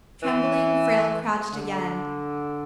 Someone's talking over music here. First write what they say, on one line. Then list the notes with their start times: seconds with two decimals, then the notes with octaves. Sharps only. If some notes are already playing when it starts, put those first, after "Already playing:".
Trembling, Frale crouched again.
0.23 E3
1.52 D3